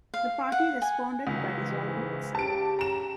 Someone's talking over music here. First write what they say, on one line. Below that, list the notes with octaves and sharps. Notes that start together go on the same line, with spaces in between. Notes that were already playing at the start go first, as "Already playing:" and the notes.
The party responded by dissolving itself.
F5
F#5
G#5
C#2 D#3 E3 F#3
G#2 E3
C#3 G4 A5 D7
A#5 E7